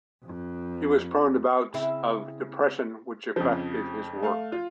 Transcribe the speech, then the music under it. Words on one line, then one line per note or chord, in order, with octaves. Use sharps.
He was prone to bouts of depression, which affected his work.
F2
C#3 C4 E4
F2 C#3 F3
A3 F5
F4